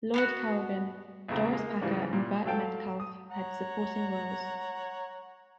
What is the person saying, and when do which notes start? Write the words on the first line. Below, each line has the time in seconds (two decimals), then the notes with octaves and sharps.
Lloyd Corrigan, Doris Packer, and Burt Metcalfe had supporting roles.
0.14 B3 F4 F#4
1.28 A#1 E2 C#3 A#5
1.52 G#3 A#3
1.81 G#2 C#3 E3 F3 G3
2.13 A#2 G3
2.45 F#3 A4 F5 G5 A5
3.00 D#6
3.30 C#5 F#5 A#5